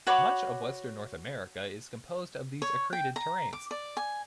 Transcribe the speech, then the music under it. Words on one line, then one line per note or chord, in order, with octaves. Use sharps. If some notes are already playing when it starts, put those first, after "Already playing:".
Much of western North America is composed of these accreted terranes.
F#4 C#5 B5 D6
C#5
G5
A#5
D6
D5
G#5